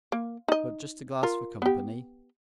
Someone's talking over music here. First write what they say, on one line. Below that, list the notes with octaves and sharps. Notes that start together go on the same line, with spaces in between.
"But just a glass for company."
A#3
D#4 D#5
F4 A#4
B3 G4